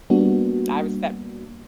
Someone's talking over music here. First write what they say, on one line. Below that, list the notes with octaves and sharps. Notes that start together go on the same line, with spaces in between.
I was set f
G3 A#3 B3 D4 F#4